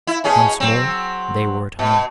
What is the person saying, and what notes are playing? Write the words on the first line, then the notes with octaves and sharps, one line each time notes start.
Once more they were at home.
E4
B2 C#4 G#4
F#3 C4
B2